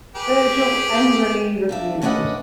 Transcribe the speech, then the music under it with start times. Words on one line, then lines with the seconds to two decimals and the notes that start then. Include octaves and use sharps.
Virgil angrily refuses.
0.16 G4 G#4 B4
1.69 F2 D4 E5
2.02 A3 C#4 D4 B4 D#5 F#5